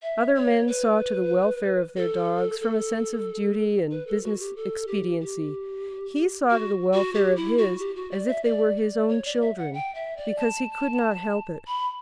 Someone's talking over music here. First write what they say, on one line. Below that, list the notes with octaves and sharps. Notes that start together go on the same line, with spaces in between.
Other men saw to the welfare of their dogs from a sense of duty and business expediency; he saw to the welfare of his as if they were his own children, because he could not help it.
E5
C#5
B4
A4
A4
B4
A4
F#4
G4
A4
G4
G4
F#4
F#4
G4
E4
F#4
G4
F#4
D5
E5
D5
D5
C#5
D5
E5
F#5
G5
E5
D5
A5
B5